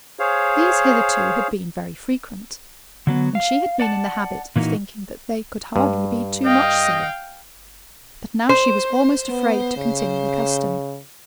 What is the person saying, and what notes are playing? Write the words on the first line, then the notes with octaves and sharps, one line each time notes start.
These hitherto had been very frequent, and she had been in the habit of thinking that they could hardly be too much so; but now she was almost afraid to continue the custom.
G#4 C5 C#5 F5
D3 F#3 B3
F5
D5 F#5 A5
A#2 E3 A#3 C#4 D#4 F#4
G2
D#5 F5 G5
C5
B3
C#3